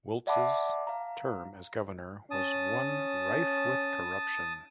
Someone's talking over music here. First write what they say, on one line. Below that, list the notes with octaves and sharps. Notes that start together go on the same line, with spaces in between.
Wiltz's term as governor was one rife with corruption.
D5 E5 F#5 A5 B5 D6
F5 A#5
C#4 A5 D#6